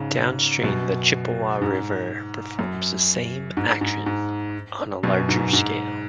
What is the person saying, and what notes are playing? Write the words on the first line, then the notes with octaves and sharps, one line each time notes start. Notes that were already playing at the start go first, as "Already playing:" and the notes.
Downstream the Chippewa River performs the same action on a larger scale.
Already playing: G#2 C#3
F#2 B2
G#2
F#2
G#2
G#2
G#2
F#2 B2
G#2
G#2